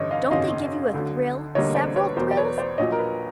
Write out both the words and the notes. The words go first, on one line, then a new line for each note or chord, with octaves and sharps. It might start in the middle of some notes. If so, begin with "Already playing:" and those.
Don't they give you a thrill--several thrills?
Already playing: A1 G2 D3 C#5 D#5
D#5 F5
G#1 F#2 C#3 D#5 F5
D2 D3 F#3
E1 D2 D3 G3 A#3 C#5 D#5
C5 D5
B4 C#5
E2 B2 F#3 A#4 C5
D5
B4 C#5
C5 D5
A#1 A#2 F#3 C#5 D#5
A#4
B4